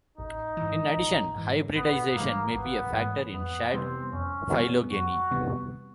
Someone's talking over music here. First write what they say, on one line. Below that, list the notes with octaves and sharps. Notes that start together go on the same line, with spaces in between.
In addition, hybridization may be a factor in shad phylogeny.
A1 D#4
G#2 E3
A1
G#2 E3
A1 B3
G#2 E3 A#3
A1 B3
G#2 E3
F2 B3
C3 E3 G3 B3 C4
F2 C#4
C3 E3 G3 B3
F2 F#4
C3 E3 G3 B3